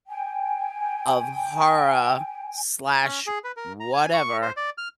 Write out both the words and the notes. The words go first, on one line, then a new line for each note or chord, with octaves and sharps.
of horror/whatever
G5 G#5
C#4
G#4
B4
A#4
A#5
G#5
C#6
C5
D5
F6